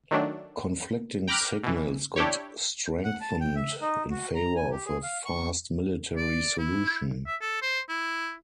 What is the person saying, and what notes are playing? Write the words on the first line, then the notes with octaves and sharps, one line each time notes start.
Conflicting signals got strengthened in favor of a fast military solution.
D#3 F#3 A3 D4
G5 A#5 B5 D6 F6 F#6
B2 E3
D4 E4 G4 C#5
F#5
A5
G5
E5
D#4
F#4
A#5
G#5
G4
G#4
F5
C#6
D5
E4
E5
A4
C5
E4